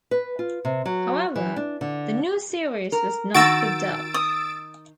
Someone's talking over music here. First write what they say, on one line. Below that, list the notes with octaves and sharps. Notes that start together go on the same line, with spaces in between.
However, the new series was not picked up.
B4
F4
C3
F#3
E3
D4
D3
A#4
D#3 F#4 E6 A6 D7
D#6